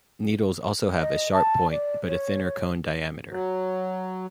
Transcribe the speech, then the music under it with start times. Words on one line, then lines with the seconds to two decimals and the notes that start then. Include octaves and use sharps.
Needles also have a sharp point, but a thinner cone diameter.
0.97 D#5
1.33 A5
1.70 D5
2.07 C#5
3.30 F#3